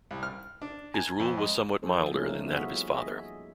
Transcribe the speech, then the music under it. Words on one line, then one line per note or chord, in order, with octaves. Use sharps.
His rule was somewhat milder than that of his father.
C2
F6
D4
G#5
F2
G#3
F3 G#4 A4 C5
G3 A3 A#3 C#4 D#4 F4
B3 F4 F#4 G#4 E5
G#4 D#5 E5